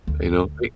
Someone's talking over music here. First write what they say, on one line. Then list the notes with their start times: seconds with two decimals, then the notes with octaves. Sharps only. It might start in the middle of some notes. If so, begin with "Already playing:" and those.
You know, i
0.07 D2